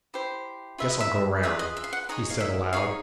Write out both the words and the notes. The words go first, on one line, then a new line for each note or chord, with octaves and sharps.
Guess I'll go round,' he said aloud.
E4 G4 C5
F4 G#4 B4 E5
D#5
E5
F4 G#4 B4 E5
D#5
E5
F5
F#5
D#4 G#4 C#5 D#5
F5
E5
D#4 G#4 C#5 F5